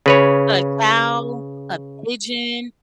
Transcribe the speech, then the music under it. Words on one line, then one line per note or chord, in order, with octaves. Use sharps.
a cow, a pigeon,
C#3 B4 C#5